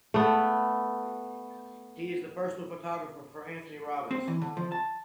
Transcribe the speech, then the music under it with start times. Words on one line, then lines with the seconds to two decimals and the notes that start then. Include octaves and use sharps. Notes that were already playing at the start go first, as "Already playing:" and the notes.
He is the personal photographer for Anthony Robbins.
0.14 A3 B3
4.11 C4
4.28 E3
4.42 D3
4.57 F3
4.72 A5